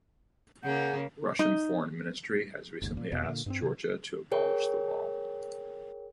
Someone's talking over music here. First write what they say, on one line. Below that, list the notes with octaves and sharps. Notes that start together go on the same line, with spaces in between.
Russian Foreign Ministry has recently asked Georgia to abolish the law.
C#3 A#3 G#4 F#5 G6
D#4
F#1 D#2 G#2
A#2
F1 E2 B2 B3
A#2 D3 A#3
G2 B3 C4
C3 D#3 F#3
G#4 A#4 C#5 G5